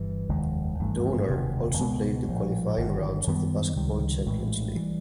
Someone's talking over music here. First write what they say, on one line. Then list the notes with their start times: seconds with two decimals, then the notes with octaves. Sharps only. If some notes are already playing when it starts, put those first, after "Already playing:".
Donar also played the qualifying rounds of the Basketball Champions League.
Already playing: G1 G2 E3
0.29 F1 D#2 D#3 G#3
0.79 G#1 G2 E3 A3
1.28 E1 D2 C3 D#3
1.78 C#2 B2 G#3 B3
2.28 A#1 A2 F3
2.77 G1 G2 D#3
3.27 F#2 D#3 G3 B3
3.76 C#2 C3 D#3 G3
4.26 A#1 A2 E3 G#3
4.75 E3 G3